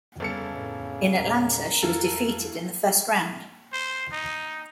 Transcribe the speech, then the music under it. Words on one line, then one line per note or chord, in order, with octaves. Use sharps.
In Atlanta, she was defeated in the first round.
G1 F2 C#3 G3 A4 C#7
F2 A2
E2 A#2 A#4
F2 E3 F4 A4
C5
D#4